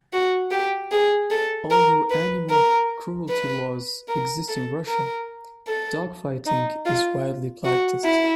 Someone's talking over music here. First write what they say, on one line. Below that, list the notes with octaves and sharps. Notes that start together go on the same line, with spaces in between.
Although animal cruelty laws exist in Russia, dog fighting is widely practiced.
F#4
G4
G#4
A4
A#4
B4
A#4
B4
A#4
A4
A#4
A4
D#4
F4
F#4
E4